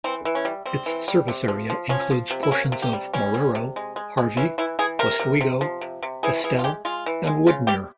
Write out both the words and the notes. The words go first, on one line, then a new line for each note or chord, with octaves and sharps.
Its service area includes portions of Marrero, Harvey, Westwego, Estelle, and Woodmere.
E3 C4
E3
C#4
G3
G3 C4
E3
G3
C3
F3
F3
F3 C#4
F3
C3
E4
A#3 C#4
C3
G4
G3
G3 C#4
G3
C3
G#3
G#3
G#3
E3 C#4
E3 E4
E3 G#4
C3 A#4
C3
C3
F3
C3
C3
E3 G#4
E3 G#4
F4
G#3 G4
G#3 F4
E3
G#3
C#3 F4
G3 G4